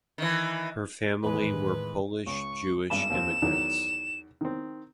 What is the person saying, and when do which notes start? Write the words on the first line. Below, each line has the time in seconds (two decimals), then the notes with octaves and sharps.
Her family were Polish Jewish immigrants.
0.18 D#3 E3
1.24 E2 A2 D#3 G#3 B4
2.26 C#2 C#6
2.90 G#1 G2 B5 E7
3.10 D#2 C4
3.42 E2 D#3 F#3
4.41 D#3 C4